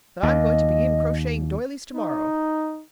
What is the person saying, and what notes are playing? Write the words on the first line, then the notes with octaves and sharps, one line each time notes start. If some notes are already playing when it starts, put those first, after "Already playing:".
But I'm going to begin crocheting doilies tomorrow.
D#2 D#5
D#4